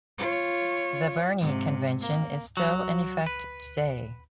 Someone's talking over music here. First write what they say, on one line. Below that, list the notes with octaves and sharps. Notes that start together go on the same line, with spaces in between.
The Berne Convention is still in effect today.
F4 C#5
G#2 C3
A#3
F#3
B4